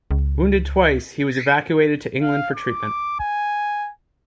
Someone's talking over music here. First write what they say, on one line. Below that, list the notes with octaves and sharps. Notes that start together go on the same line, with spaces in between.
Wounded twice, he was evacuated to England for treatment.
C#2
F5
D6
G#5